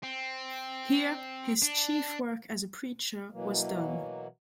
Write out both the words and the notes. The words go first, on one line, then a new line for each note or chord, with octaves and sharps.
Here his chief work as a preacher was done.
C4
D4
B2 E3 F#3 A#3